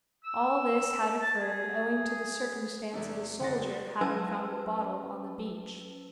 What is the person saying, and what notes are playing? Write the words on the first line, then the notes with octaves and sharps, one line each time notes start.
All this had occurred owing to the circumstance of a soldier having found a bottle on the beach.
E6
A5
G#4
E2 C3 E3 G3 A3
F#1 D4 F#5 C6 A6 A#6
G#3 A#3 F#4
F#3 C#4 B4 A5 E6